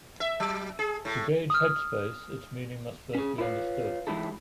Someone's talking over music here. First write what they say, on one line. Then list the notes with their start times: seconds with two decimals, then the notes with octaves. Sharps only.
To gauge 'headspace' its meaning must first be understood.
0.20 E5
0.40 F#3
0.79 G#4
1.05 A2
1.50 D#6 F6
3.15 C#4 G#4
3.38 E4 F4 B4 C#5 F5
4.07 E3 G#3 D#4 E4 G4 A4